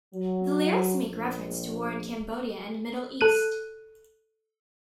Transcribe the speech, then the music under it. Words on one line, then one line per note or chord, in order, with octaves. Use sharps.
The lyrics make reference to war in Cambodia and Middle East.
F#3
A#1
A4 F#6 D#7